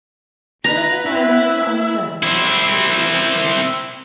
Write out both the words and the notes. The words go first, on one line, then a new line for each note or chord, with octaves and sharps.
"Tell him that I am a little uncertain about the safety of the bridge."
B4 A#5
E4
C4 E4